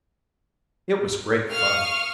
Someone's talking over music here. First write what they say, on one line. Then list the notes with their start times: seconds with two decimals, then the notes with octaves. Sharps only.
It was great fun.
1.51 F5 C#6 D#6 F6